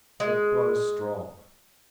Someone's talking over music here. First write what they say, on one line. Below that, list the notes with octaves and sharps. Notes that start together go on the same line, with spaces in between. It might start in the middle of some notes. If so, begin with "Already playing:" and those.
It blows strong.
G#3